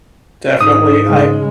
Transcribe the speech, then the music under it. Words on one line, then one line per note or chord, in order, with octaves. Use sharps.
Definitely. I
G#2 D#6
C#3 G#3